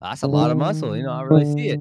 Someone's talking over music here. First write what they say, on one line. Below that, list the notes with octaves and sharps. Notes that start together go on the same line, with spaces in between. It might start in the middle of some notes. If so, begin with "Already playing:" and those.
that's a lotta muscle. You know, I really see it.”
C#3
D3
D#3
D#3
D3